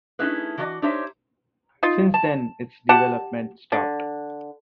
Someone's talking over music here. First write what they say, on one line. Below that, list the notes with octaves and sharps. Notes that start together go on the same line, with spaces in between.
Since then, its development stopped.
A3 C#4 D#4 E4 G#4 B4
E3 F#3 A3 F#4 D5 D#5
D4 D#4 G4 C5 C#5 E5
D#4 F4
A5
G4 F#5 A5
D3